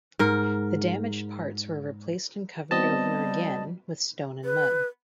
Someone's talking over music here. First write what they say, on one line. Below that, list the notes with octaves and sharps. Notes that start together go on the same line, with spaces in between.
The damaged parts were replaced and covered over again with stone and mud.
G#2 A#4
G3 B3 C4 F#4 D#5 A5
B4